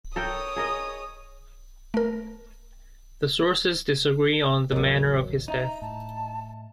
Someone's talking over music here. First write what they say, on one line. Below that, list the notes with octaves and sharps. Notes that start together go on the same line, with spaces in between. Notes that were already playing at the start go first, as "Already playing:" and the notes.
The sources disagree on the manner of his death.
A4 A#4 C#5 G5 D#6
G#4 A#4 D#5
A3 A#4
A1 D#2 A#2 F#3 A#4 C#5 D#5
D#4 D#5 E5 A#5
A2 A5